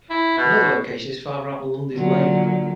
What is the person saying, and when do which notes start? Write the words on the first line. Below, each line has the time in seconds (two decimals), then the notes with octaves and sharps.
Another location is farther out on Lundy's Lane.
0.10 E4
0.38 B2
1.94 A#2 D3 F#3